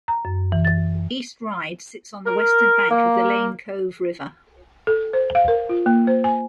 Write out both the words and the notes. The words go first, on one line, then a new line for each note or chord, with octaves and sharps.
East Ryde sits on the western bank of the Lane Cove River.
A#5
F#2
E3
A6
A#4
A#3
A4
C5
F5
A#4
F4
A#3
C5
G#5